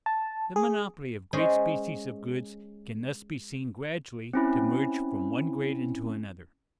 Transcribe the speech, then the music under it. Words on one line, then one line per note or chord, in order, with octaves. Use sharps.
The monopoly of great species of goods can thus be seen gradually to merge from one grade into another.
A5
G#4
G#3 C#4 G#4 C5
C4 C#4 E4